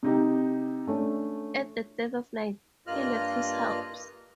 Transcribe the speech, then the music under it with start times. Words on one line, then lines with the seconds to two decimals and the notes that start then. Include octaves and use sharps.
At the dead of night, he left his house.
0.03 C3 D#4 G4
0.87 A3 C#4 D4
2.87 G2 A#3 F4 D#5 F6 F#6